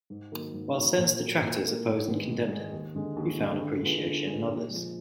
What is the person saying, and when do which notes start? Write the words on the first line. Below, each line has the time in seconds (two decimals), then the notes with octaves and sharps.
While Sen's detractors opposed and condemned him, he found appreciation in others.
0.10 G#2
0.32 D#3 F#3 A#3
0.54 G#2
0.76 D#3 F#3 A#3
0.98 A#2
1.19 F#3 A#3
1.41 A#2
1.63 F#3 A#3
1.86 G#2
2.07 D#3 G#3 B3
2.29 G#2
2.51 D#3 G#3 B3
2.73 D#2
2.95 D3 G#3
3.16 D#2
3.39 D3 G#3
3.60 D3
3.83 G#3 B3 F4 G#4
4.04 D3
4.26 G#3 B3 F4 G#4
4.48 A#2
4.70 F3 G#3